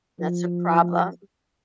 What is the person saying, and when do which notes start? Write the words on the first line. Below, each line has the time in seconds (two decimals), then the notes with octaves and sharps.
That's a problem.
0.21 F3